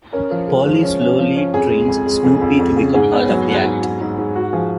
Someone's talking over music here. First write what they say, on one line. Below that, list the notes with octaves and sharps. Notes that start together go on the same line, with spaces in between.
Polly slowly trains Snoopy to become part of the act.
C#4 A#4
F3
G#3
F3
C#4
C#4
F3
C#4
F2 G#4
G#3
F2
G#3
F2
F2
F2
C#3
G#2 G#4
B3
F#3
G#2
G#2
G#2
G#2
G#2
G#2 F#4
F3 G#4